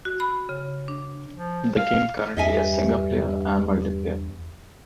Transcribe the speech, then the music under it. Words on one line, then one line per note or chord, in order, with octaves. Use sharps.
The game currently has singleplayer and multiplayer.
F#4
B5
C#3
D4
F3
F5
E2 G2 D#5 E5 G#5